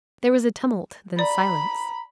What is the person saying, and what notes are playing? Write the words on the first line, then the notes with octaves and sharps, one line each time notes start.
There was a tumult, then silence.
D5 A#5 B5